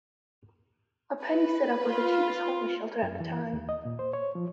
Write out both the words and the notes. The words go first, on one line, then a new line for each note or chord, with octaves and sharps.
A penny sit-up was the cheapest homeless shelter at that time.
B4
F4
F#2
E3
D#2
D#5
A#2
C5
C#5
F3